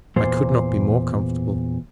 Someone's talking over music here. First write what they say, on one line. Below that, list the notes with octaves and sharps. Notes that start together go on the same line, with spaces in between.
"I could not be more comfortable."
E2 A#2 C5